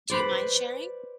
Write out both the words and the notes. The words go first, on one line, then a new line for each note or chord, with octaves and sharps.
do you mind sharing?
B4 C5 D5